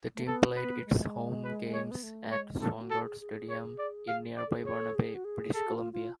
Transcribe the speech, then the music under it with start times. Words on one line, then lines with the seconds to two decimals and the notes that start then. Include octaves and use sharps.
The team played its home games at Swangard Stadium in nearby Burnaby, British Columbia.
0.15 A3
0.26 B3 A4
0.57 B4
0.86 G#3
1.44 B4
1.73 C#5
1.91 B3
2.03 A3
2.31 G#3 C#5
2.61 A3 A4
2.81 F#4
2.90 A4
3.01 G#4
3.20 G#4
3.49 C#5
3.78 D5
4.08 F5
4.37 D5
4.47 A4
4.56 G#4
4.66 C#5
4.76 A4
4.95 G#4
5.15 F#4
5.25 G#4
5.54 G#4 A4
5.67 F#4
5.74 F4
5.93 F4